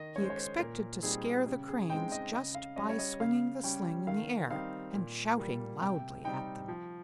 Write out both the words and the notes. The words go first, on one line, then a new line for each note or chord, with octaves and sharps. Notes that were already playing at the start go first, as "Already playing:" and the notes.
He expected to scare the Cranes just by swinging the sling in the air, and shouting loudly at them.
Already playing: D#3 D#5
G#3 C#4 C5 C#5
C#5
C5
A#2 A#4
G3 C4 D#4 G#4
C#3 G4
G#4
G#3 C4 D#4 G5
D#5
C#3 D#5
F5
G3 C#4 D#5
C#5
D#5
C#3 F5
G3 C#4 G5
D#3 F5
G3 C4 D#4 F5
A#2
G3 A#3
C3 G5
G3 C4 D#4 G5
F3